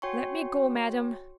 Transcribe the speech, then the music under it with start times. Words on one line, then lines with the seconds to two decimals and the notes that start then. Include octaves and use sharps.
"Let me go, madam."
0.02 F#4 C#5 G5 G#5 C6 C#6